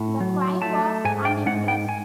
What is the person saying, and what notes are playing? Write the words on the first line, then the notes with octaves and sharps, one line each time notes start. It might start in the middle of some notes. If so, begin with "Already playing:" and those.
The client was unimpressed.
Already playing: A2
F#3
A3 A5
G#2 G#5
G5
G#2 F#5
G5
G#5